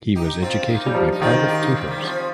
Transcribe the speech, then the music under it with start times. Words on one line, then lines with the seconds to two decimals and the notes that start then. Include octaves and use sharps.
He was educated by private tutors.
0.15 D#4 G4
0.42 C4 F4
0.68 A#3 D#4
0.86 G3
0.95 F3
1.12 D#4
1.21 D#3 C4 F4
1.48 D#4 G4
1.61 A#3 D#4
1.74 G3 C4
1.81 A#3
1.87 D#3 G3
2.01 C3 F3